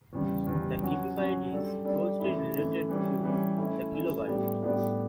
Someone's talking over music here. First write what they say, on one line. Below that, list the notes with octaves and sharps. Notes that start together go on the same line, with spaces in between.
The kibibyte is closely related to the kilobyte.
E2 C#3 G3
E2 C#3 G3
F#3 C#4 F#4
F#3 C#4 F#4
G3 D4 A4
G3 D4 A4
F#2 E3 A3 E4
F#2 E3 A3 E4
E3 G3 C#4
E3 G3 C#4
A3 C#4 E4
A3 C#4 E4
A2 G3 B3 D4 G4
A2 G3 B3 D4 G4